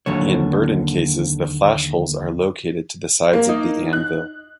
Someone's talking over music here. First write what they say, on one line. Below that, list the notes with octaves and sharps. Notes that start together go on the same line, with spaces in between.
In Berdan cases, the flash holes are located to the sides of the anvil.
D#2 D3 F#3 C#5
A#3
D#4
F#6